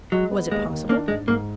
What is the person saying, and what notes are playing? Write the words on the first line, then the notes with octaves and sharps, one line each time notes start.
Was it possible?
F#3 G#3
B3
D#2 G#3
D#3
A#3 D4
G#2 G#3
G#2 A#3